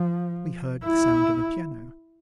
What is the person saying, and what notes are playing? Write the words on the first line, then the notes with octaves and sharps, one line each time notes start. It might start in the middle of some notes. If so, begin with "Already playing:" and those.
We heard the sound of a piano.
Already playing: F3
E4